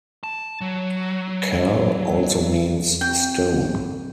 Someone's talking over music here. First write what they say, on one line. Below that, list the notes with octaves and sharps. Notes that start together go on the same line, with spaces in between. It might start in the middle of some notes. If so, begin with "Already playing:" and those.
'Kal' also means 'stone'.
A5
F#3
C4 G5